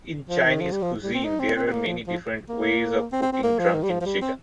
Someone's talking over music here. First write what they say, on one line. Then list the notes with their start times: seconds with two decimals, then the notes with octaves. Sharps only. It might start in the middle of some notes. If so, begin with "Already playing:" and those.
In Chinese cuisine there are many different ways of cooking drunken chicken.
0.30 F3
0.46 D#3
0.61 F3
0.72 G3
0.82 F3
1.03 G3
1.14 C4
1.24 D#4
1.39 C4
1.55 C4
1.67 C4
1.71 A#3
1.86 F3
2.07 F3
2.49 A#3
3.12 C4
3.22 C4
3.32 C4
3.43 A#3
3.59 F3
3.74 D#3
3.83 G3
3.89 F3
4.01 F3
4.06 G3
4.22 C4